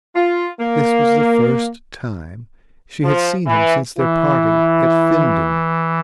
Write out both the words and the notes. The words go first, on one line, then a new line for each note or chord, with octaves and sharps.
This was the first time she had seen him since their parting at Finden.
F4
A#3
F3
E3
E3 E4